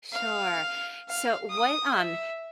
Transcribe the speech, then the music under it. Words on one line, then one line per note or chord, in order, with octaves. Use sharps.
Sure. So what um,
F5
F5
D#6
E5